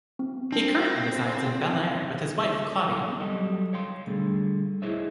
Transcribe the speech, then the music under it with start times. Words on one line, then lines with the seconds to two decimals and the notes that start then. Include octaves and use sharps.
He currently resides in Bel Air with his wife Claudia.
0.19 C4
0.52 C4 D4 A#4
3.20 F#3 G3 A4 D#5
3.73 C#5 F5 G5 C6
4.07 D3 G3 A3 G#4
4.82 E4 G#4 C5 C#5 D#5 E5